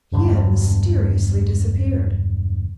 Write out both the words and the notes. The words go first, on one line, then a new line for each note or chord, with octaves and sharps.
He had mysteriously disappeared.
E1 G2 D3